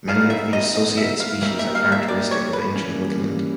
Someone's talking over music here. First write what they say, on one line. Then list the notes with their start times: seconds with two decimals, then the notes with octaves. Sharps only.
Many of the associated species are characteristic of ancient woodland.
0.08 B3 D#4 G#4 F5
0.30 E5
0.53 D#5
0.76 D#5
0.97 E5
1.20 F5
1.42 G3 A#3 D#4 G4 A#4 E5
1.59 E5
1.75 F5
1.92 E5
2.08 D5
2.31 C#5
2.53 B4
2.76 E3 G3 A#3 C#4